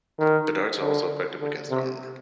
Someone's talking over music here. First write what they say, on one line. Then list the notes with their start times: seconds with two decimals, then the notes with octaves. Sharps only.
The darts are also effective against armour.
0.19 D#3
0.80 D3
1.41 D3
1.70 C3